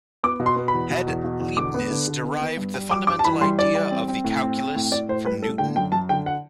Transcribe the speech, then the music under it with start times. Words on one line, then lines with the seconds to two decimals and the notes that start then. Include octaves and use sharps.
Had Leibniz derived the fundamental idea of the calculus from Newton?
0.23 B3 D6
0.40 B2
0.46 C6
0.56 B3
0.68 B5
0.74 E2
0.90 B2
1.07 E2
1.24 B2
1.40 E2
1.57 D3 D6
1.74 B3
1.91 D3
2.08 D3
2.24 B3
2.41 B3
2.57 G2
2.74 G3
2.91 G3 D6
3.07 G2 D6
3.19 A5
3.25 E3 B5
3.41 G3 C6
3.58 E3 D5
3.75 G3
3.91 C4
4.08 C4
4.25 A2
4.42 C4
4.58 C4
4.75 A2
4.92 A2 D5
5.09 A2 C5
5.26 G3 B4
5.43 A2 A4
5.58 D3 G5
5.76 F#2 G5
5.92 F#2 A5
6.09 D3 G5
6.26 F#5